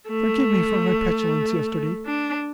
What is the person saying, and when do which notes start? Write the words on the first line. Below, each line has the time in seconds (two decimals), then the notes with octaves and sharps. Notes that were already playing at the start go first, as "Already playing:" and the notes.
Forgive me for my petulance yesterday!
0.10 A3
2.05 D4